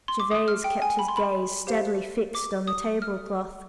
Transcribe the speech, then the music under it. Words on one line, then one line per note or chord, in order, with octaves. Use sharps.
Gervase kept his gaze steadily fixed on the table-cloth.
C6
D6
D#6
F6
G5
G#5
B5
C6
B5
G4 C5 F5
D6
D#6
F6